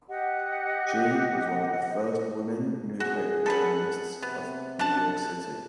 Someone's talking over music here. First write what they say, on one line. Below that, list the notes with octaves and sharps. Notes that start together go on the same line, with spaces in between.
She was one of the first women newspaper journalists of New York City.
G4 D#5 F#5
F#4 G#4
A4 B4 F#5
C3 B3
D4 F#5 A5